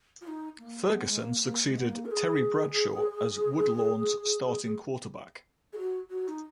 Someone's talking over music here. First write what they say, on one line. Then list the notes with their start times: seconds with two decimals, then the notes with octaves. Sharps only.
Ferguson succeeded Terry Bradshaw as Woodlawn's starting quarterback.
0.21 F4
0.27 D#4
0.58 A#3
0.88 B3
1.08 G#3
1.20 A#3
1.42 A#3
1.65 G#3
1.78 B3
1.88 A#3
2.05 A#4
2.11 G#4
5.73 G#4
5.78 F#4
6.09 F#4
6.28 D#4